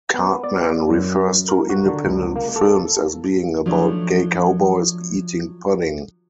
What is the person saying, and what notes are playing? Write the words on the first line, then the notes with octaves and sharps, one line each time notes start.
Cartman refers to independent films as being about "gay cowboys eating pudding".
B3
D5
F#2
A#4
F#4
D3
C#2
A#3
A4
F3 F#3 A3 D4